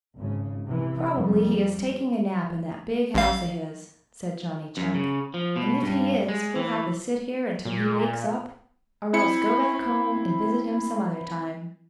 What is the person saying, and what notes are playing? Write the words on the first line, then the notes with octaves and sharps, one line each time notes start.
"Probably he is taking a nap in that big house of his," said Johnny Chuck, "and if he is we'll have to sit here until he wakes up, or else go back home and visit him some other time."
G#1 C#3
C3 E3
F2 G3
A1 F5
F#2
C#3
F3
B2
G2
G#3
E3
A#2
C4 E4 C#7